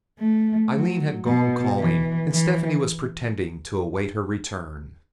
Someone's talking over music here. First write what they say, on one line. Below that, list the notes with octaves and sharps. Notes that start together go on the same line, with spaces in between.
Aileen had gone calling, and Stephanie was pretending to await her return.
A3
F#3
B2
E3
E3